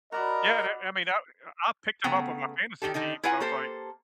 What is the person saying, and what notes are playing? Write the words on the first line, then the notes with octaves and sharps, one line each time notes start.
Yeah, that I mean, eh, I I picked him up on my fantasy team, 'cause I was like
F#4 A#4 D5 D#5 A#5 B5
C#3 A3 B3 F#5 G5 A#5
D#3 E3 G4 A4
D3 D#3 D#4 A4
E4 F4 B4 F#5 G#5 A#5
A#3 G4 A4 C5